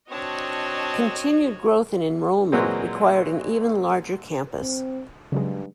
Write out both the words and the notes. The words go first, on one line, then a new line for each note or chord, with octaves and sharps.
Continued growth in enrollment required an even larger campus.
C4 D4 F#4 C#5 D#5 A5
A#2 E3 F#3 G#3 A#3 C4
C4
G2 C#3 F#3 G#3